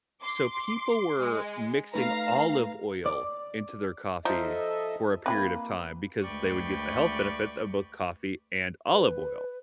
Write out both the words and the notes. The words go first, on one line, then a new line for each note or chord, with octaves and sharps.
so people were mixing olive oil into their coffee for a period of time, because they would get the health benefits of both coffee and olive oil.
C6 D6
G#3
A3 D#4 B4 F5 A#5
D5
F3 D#4 A4 D#5 E5
A#3 C4 E4 B4 B5
D2 G#3 B4 D5 G5 C#6
B4